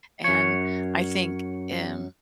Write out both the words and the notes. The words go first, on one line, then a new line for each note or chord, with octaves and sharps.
and I think, um,
F#2 C#5